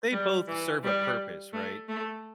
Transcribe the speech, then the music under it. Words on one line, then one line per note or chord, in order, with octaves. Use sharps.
They both serve a purpose, right?
G3
E3
G3
A3
A3